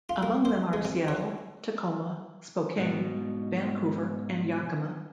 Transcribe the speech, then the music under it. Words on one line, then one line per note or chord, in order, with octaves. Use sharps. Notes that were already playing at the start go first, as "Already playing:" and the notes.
Among them are Seattle, Tacoma, Spokane, Vancouver, and Yakima.
F4
A#3
C5
G#3
C3
C#5
G#2 B2